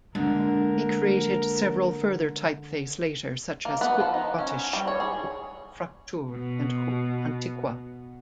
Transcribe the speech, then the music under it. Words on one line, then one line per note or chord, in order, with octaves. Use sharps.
He created several further typeface later, such as "Hupp-Gotisch", "Hupp-Fraktur", and "Hupp-Antiqua".
D3 G#3 A#3 A#4
A#3
B3
F3
D#4
C#4
G3
C#5
G#4
B2 B3